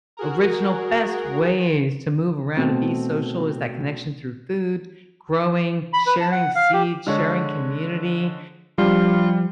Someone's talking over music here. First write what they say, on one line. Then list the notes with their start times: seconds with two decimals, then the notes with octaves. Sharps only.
original best ways to move around and be social is that connection through food, growing, sharing seeds, sharing community,
0.17 F#4 G#4 A#4
2.57 B2 A3 C4
5.93 B5
6.07 B4
6.20 A5
6.31 F#5
6.55 F5
6.73 G4
7.07 D3 G#3 C#5
8.78 F3 G3 D4 F4